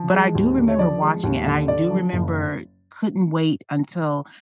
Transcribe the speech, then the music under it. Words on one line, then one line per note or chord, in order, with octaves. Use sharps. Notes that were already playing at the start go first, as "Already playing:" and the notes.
But I do remember watching it and I do remember couldn't wait until
Already playing: F3
G#3
D#2
D3
C#5
F3 D5
G#3
D#2
D3
D3 D5
F3
F#1